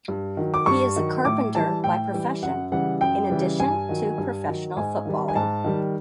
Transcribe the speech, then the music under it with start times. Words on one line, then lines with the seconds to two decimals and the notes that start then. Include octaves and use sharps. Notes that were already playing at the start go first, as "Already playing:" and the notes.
He is a carpenter by profession, in addition to professional footballing.
0.08 G2
0.37 D#3 F#3
0.54 D6
0.66 G2 C#6
0.96 D#3 F#3
1.25 A2 D6
1.55 E3 G3 A5
1.84 A2 G5
2.13 E3 G3
2.42 F#2 F#5
2.72 C#3 E3 G3 F#5
3.01 F#2 G5
3.30 C#3 E3 G3
3.60 G2 G#5
3.89 D#3 F#3
4.18 G2
4.48 D#3 F#3
4.77 G#2 G#5
5.06 D#3 G3
5.28 G#5
5.35 G#2 A5
5.64 D#3 G3